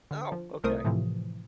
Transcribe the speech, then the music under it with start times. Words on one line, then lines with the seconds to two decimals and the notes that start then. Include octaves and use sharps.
Oh, okay.
0.11 D3
0.32 F3
0.64 C2 A3 A#4 C5 D#6
0.85 A2 C3 E3 F3